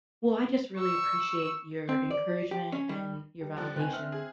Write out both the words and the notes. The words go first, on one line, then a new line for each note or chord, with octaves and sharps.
Well, I just really appreciate your encouragement and your validation.
C#6 E6
C4
D5
G4
C#4
G3
G3
D3 F3
D#3 C4 B4 G#5 F#6
C4 E5 F6
G#4